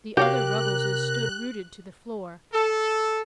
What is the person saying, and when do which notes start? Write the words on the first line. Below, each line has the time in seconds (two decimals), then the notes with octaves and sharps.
The other Ruggleses stood rooted to the floor.
0.17 C3 F#4 G4 A#4 C#5 F5 F#6
2.52 A4